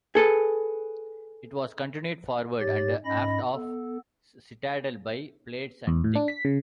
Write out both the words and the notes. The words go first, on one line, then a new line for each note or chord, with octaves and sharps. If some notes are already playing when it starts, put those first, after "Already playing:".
It was continued forward and aft of the citadel by plates and thick.
G#4 A4 B4
G#2 G4 C#5 A6
G#2 C#4 D#5 B5 A#6
B3 A4
E2
A2
D4
B6
C#3